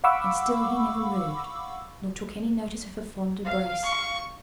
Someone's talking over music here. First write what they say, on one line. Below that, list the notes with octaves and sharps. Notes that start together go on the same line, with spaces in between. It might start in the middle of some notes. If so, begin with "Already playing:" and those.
And still he never moved, nor took any notice of her fond embrace.
F5 F#5 B5 C#6 D6 E6
F5
C#6